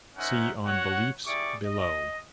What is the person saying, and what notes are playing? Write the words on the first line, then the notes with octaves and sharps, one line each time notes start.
See on "Beliefs" below.
C#4 D#4 A#4 C5 E5 F#5
F#4 C#5 F#5
G3 E4 G#4 D5 C#6 D6
D#5